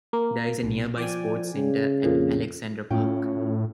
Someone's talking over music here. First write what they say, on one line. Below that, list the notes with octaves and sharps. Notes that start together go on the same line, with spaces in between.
There is a nearby sports centre at Alexandra Park.
A#3
B1
F3 D5 G5 G#5
C#3
F2 A#2
A2 C#4 F4 G5